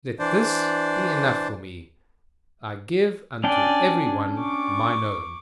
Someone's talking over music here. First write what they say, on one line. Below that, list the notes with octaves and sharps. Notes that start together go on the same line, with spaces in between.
Let this be enough for me: I give unto every one mine own.
E3 D4 C5 D5
C#4 D4 D5 G5 G#5
C#6 D6